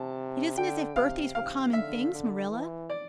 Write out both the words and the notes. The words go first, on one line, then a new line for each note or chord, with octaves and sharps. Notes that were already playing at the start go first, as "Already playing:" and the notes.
It isn't as if birthdays were common things, Marilla.
Already playing: C3 A5
D3 G5
C3 F5
C3 F5
D3 E5
D3
E3
D5